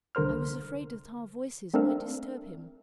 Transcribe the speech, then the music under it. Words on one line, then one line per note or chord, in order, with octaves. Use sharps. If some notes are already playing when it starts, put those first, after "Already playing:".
I was afraid that our voices might disturb him.
C2 D3 A#4 C5 F6
A3 C4 D4 A#4 E5 F5